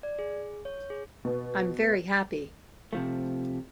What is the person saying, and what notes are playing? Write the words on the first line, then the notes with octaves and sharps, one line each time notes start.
I'm very happy.
D5
G#4
C#5
G#4
B2
C3 F3 A3